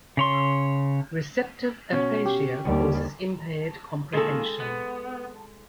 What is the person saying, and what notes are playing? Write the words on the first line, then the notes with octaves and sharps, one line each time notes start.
Receptive aphasia causes impaired comprehension.
C#3 C#5 C6
B2 C#4
G4
D#2 D3 G3
A#2 D#3 G#3 A4
B3